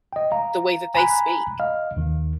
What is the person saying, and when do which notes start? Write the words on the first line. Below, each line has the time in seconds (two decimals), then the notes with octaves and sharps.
the way that they speak.
0.13 D#5 G5
0.32 F5 A#5
0.94 G#5 A#5 B5 F#6
1.60 D#5 F5 F6
1.96 D#2 D#3